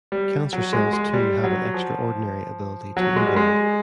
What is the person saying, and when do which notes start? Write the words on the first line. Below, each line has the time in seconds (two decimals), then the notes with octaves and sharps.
Cancer cells too have an extraordinary ability to evolve.
0.12 G3
0.53 F#3
0.73 G#3
0.93 G#3
1.13 G3
1.44 F#3
1.74 F3
2.97 F#3
3.16 G#3
3.26 G3
3.36 G#3